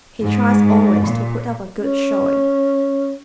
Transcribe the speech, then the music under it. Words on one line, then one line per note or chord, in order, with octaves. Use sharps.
He tries always to put up a good showing.
G#2
A#2
C#4